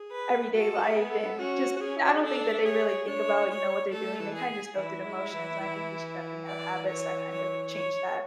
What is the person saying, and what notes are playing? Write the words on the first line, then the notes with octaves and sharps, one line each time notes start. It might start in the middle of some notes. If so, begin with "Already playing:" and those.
everyday life. And just I don't think that they really think about, you know, what they're doing. They kinda just go through the motions, and I think we should definitely have habits that kind of change that.
Already playing: G#4
B4
F#4 A4
F#4
G#4
B3
A4
C#4 F#4
F#4
C#4 G#4
E4
F#4
G#4
D4 A4
G#4 C#5
D4 C#5
C#5
A3 A4
E3
G#4
E3 E4
G#3
E3
E3
D5
C#5
C#5
C#5